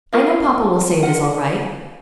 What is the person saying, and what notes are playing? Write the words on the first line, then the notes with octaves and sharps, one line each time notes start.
I know Papa will say it is all right.
F4 A#4 F5
F4 A#4 F#5